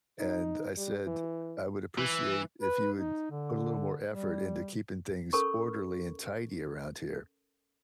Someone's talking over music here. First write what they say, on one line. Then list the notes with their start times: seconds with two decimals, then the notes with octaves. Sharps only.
And I said, "I would appreciate if you would put a little more effort into keeping things orderly and tidy around here."
0.20 D#4
0.77 G3
1.06 E3
1.98 E3
2.62 B4
2.96 D#4
3.32 D3
4.09 G3
5.33 C#4 A4 A#4 B5 C#6